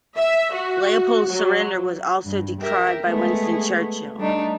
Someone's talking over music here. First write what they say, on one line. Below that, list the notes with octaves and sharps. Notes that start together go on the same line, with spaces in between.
Leopold's surrender was also decried by Winston Churchill.
E5
F#4
F#3
G2
G4 A#4 E5
G#3 A3 B3 G#4
G3 A3 D4 D#4